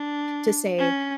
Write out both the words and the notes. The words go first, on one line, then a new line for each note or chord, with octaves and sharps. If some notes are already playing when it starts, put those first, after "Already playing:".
to say,
Already playing: D4
C#4